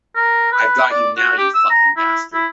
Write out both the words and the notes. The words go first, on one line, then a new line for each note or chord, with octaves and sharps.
I’ve got you now, you fucking bastard.
A#4
B4
D5
F#4
G4
E6
A#5
E4
E4